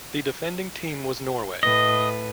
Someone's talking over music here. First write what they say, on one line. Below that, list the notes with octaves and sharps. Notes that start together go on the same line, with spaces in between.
The defending team was Norway.
A2 B4 D#5